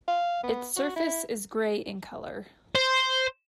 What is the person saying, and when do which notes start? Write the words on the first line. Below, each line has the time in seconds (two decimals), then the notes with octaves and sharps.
Its surface is grey in color.
0.08 F5
0.43 B3
0.76 F#4
0.96 E4
2.75 C5